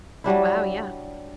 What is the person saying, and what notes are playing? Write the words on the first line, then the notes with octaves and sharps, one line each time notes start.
Wow, yeah.
F#3 G3 D4 E4